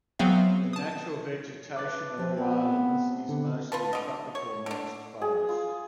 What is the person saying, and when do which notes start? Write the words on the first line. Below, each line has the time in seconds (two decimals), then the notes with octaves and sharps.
The natural vegetation of the islands is mostly tropical moist forest.
0.19 F#3 B3 C4 G#4 E5 F5
0.73 A5 D#6
1.76 A4 B4 C6 D6 F#6 A6
2.18 F3 A3 C4 G4
2.38 C3 B3 C4
3.29 D3 B3 F#5 C6
3.72 F4 B4 A5
3.93 D3 D#5
4.35 C#5
4.66 D3 D4
5.22 G#4
5.49 F4